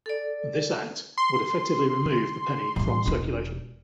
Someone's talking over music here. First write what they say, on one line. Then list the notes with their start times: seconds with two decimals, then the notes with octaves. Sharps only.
This act would effectively remove the penny from circulation.
0.06 A4 D5
1.18 C6
2.76 A1 G3
3.06 E1 D#4